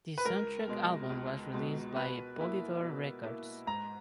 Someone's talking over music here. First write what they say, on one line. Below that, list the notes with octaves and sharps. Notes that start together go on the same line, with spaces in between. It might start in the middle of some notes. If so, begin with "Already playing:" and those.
The soundtrack album was released by Polydor Records.
B4
C#2 A#4
B2 G#3
C#2
B2 G#3
B2 B4
A#3 E4
B2
A#3 E4
G#2 A#5